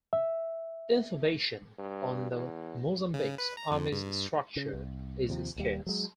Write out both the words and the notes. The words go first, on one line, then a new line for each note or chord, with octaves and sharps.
Information on the Mozambique Army's structure is scarce.
E5
G2
E2
C#3
B4
A#5
F2
G2
C#3
C2
D#2 C3 F3
D#1 D#2 G3
F#3 G#3